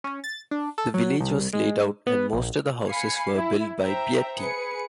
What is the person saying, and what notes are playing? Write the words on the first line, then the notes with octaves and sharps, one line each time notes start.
The village was laid out and most of the houses were built by Beatty.
C#4
A6
D4
A4
F#3
C2
G#3
B3
A#1
F5 G#5 B5 C7 C#7
E4
C5 E5 G5 A#5
G#4 B4 C#7